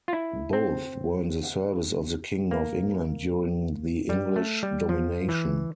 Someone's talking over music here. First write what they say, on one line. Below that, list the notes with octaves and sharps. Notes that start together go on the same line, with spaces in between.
Both were in the service of the king of England during the English domination.
F4
E4
C4
A#3
G3
A3
G3
F3
E3